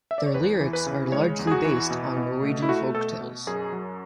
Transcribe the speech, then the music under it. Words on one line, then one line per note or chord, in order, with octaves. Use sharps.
Their lyrics are largely based on Norwegian folk tales.
E5
D5
C#5
E2 B4
E3
B4
C#3
G#3 C#5
E2
G#4
F#4
E3
B2
B2
A3
E4
A3 F#4
B2 A4
B2
F#2 G#4
F#3